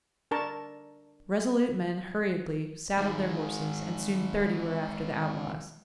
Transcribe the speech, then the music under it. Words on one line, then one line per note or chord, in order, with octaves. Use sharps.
Resolute men hurriedly saddled their horses, and soon thirty were after the outlaws.
D4 A#4 A5 A#5 C#6
D#3 G#3